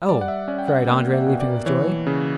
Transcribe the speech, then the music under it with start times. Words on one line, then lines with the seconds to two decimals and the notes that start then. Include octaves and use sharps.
"Oh," cried Andrea, leaping with joy.
0.09 G3 D5
0.21 F#5
0.28 E5
0.48 C#4 D5
0.59 G5
0.68 F#5
0.87 A#3 G5
1.14 E5
1.26 B2
1.40 D5
1.66 E3 C#5
2.07 C#3